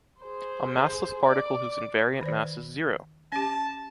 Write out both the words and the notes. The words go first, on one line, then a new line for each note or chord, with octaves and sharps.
A massless particle whose invariant mass is zero.
G#4 C5
D5 D6
D#3 C5 D5
C#4 G4 A5